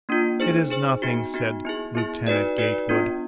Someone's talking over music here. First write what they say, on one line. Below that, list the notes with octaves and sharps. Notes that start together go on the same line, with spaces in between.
"It is nothing," said Lieutenant Gatewood.
A#3 D4 F4
D#4 G#4 C5
D#4 G#4 C5
B3 D#4 F#4
B3 D#4 F#4
B3 E4 G#4
B3 E4 G#4
D#4 F#4 B4 D5
D#4 F#4 B4 D5
B3 D4 F4